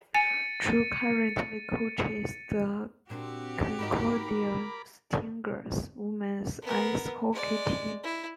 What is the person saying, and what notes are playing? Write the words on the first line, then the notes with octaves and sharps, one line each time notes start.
Chu currently coaches the Concordia Stingers' women's ice hockey team.
G#5 A6 C#7 D#7
A#2 C4 D4 F#4 G4
G#2 D#4 A#4 D#5 B5 D6
B3 A#4
G#3 D5
E4